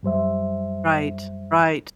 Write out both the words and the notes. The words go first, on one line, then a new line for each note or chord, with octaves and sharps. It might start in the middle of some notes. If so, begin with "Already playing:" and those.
Right, right.
F#2 G3 C5 E5